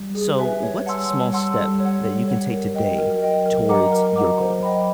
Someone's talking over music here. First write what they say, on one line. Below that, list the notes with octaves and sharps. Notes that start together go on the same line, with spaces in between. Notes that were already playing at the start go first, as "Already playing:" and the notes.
So, what's a small step that you can take today towards your goal?
Already playing: G3
G#4
B4 E5 G#5
C#5
F#5 A5 C6 E6
G3 C#5
F#5 A5 C6 E6
G3 A4
C#5
F#5
G3 A4
C#5 F#5
A#4
D#5 G5
F#3 A#4
D#5 G5
A#4
D#5 F#5 A#5 D6
A#4
D#5 F#5 A#5 D6
C5
D#5 G5 B5